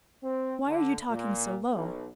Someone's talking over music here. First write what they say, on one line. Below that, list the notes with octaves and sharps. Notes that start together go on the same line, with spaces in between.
Why are you talking so low?
C4
D3
A#2
B1